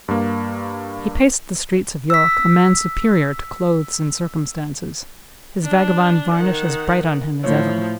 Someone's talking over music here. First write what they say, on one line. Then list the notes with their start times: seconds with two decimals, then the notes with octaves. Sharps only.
He paced the streets of York, a man superior to clothes and circumstances--his vagabond varnish as bright on him as ever.
0.08 G2 A#3
2.10 E6 B6
5.64 D4
6.34 D#3 F#5
7.44 A2 F3 C#5